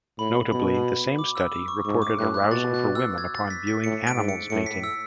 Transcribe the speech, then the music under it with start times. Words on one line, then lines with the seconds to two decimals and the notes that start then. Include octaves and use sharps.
Notably, the same study reported arousal for women upon viewing animals mating.
0.19 A2 B5
0.52 B2 B5
0.75 B5
1.19 D6
1.36 E6
1.52 D6
1.68 C#6
1.85 G#2 C#6
2.02 D6
2.18 A2 F#6
2.34 F#6
2.51 B2 A6
2.74 F#6
2.95 E6
3.18 G#6
3.35 A6
3.50 B6
3.67 B6
3.84 A2 C#7
4.07 D7
4.17 G#2
4.29 C#7
4.50 A2 C#7
4.66 B6
4.84 E6